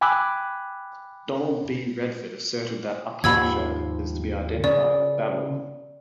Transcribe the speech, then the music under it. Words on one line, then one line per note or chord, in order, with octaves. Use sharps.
Donald B. Redford asserted that Arpachshad is to be identified with Babylon.
G5 G#5 B5 D6 E6 F#6
D#2 G#2 F3 B5 E6 G#6
C#3 D5